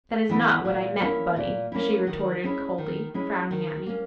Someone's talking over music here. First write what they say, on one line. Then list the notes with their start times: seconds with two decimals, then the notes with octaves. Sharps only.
"That is not what I meant, Bunny," she retorted, coldly, frowning at me.
0.29 E3 B3 E4
0.65 A#2
1.00 A#3 C#4 E4
1.36 A#2
1.72 A#3 C#4 E4
2.07 D#3
2.43 G#3 C#4 E4
2.78 D#3
3.14 G#3 C#4 E4
3.51 D#3
3.86 A#3 C#4